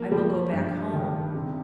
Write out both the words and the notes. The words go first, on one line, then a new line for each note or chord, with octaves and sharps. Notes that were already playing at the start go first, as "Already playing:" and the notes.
I will go back home.
Already playing: F3 A#3
F3 G3
G2
D#3
C3